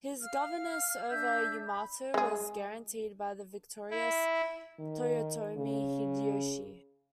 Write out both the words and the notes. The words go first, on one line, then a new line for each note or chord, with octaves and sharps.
His governance over Yamato was guaranteed by the victorious Toyotomi Hideyoshi.
F5 F6
D4 E5 E6 G6
B5
G#3 G#4
E4
D#3
C#3